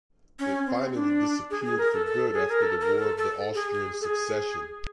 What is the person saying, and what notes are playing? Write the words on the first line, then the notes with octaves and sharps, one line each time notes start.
It finally disappeared for good after the war of the Austrian succession.
C#4
C4
D4
G#4
G#4
A#4
A4
A4
G#4
A#4
A4
A#4
A4
A4
G#4
G#4
A4
G#4